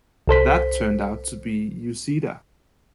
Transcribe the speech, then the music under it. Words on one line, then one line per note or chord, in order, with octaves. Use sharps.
That turned out to be Uceda.
C2 A4 C5 B6